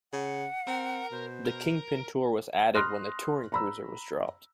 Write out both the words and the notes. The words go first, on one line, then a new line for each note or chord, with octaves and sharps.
The Kingpin Tour was added when the Touring Cruiser was dropped.
C#3 F#5
C4 A#4
B2 C5
A#4
B5 C6 D#6 F6 F#6 A#6
A#5 B5 E6